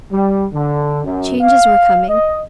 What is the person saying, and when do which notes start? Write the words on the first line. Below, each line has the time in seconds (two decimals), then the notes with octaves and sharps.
Changes were coming.
0.11 G3
0.53 D3
1.04 F#2
1.40 F5
2.08 D#5